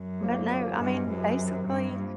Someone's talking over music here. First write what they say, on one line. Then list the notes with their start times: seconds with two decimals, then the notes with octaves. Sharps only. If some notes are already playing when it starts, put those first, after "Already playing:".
But, no, I mean, basically,
Already playing: F#2
0.21 D#2 D3 F3 A#3
0.50 D#2 D3 F3 A#3
0.79 G2 C3 E3 G#3 C#4
1.08 F#2 C3 E3 G#3 C#4
1.38 C3 D#3 F#3
1.67 G2 C3 D#3 F#3
1.96 C3 F3 A#3